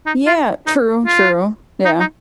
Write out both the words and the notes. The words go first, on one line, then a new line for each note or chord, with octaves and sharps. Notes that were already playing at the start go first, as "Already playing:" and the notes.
Yeah, true, true. Yeah.
D#4
F4
D#4
F4
D#4
D#4